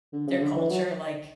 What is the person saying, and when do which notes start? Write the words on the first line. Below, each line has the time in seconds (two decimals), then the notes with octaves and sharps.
their culture, like
0.13 D3
0.27 C#3
0.41 D3
0.56 E3
0.70 F#3